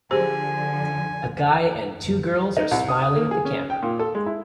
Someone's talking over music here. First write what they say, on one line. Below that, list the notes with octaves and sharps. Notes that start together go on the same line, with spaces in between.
A guy and two girls are smiling at the camera.
D3 F3 G4 G#4 C5 G#5
D#4
C2
D#6
D#6
A#3
G#4
C#4
G5
A#2
A4
G#3
E4